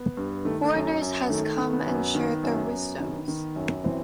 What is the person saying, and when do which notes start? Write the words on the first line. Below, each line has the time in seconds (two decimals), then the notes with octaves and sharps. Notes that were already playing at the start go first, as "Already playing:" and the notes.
Foreigners has come and shared their wisdoms.
Already playing: B3
0.17 G2
0.45 D#3 A3
0.64 A3
0.74 F#2
1.02 F#2
1.30 D#3 A3
1.58 D#3
1.73 B3
1.86 F#2
2.15 D#3
2.43 F#2
2.71 F#2
2.99 D#3
3.28 D#3
3.56 F#2
3.84 E3 C4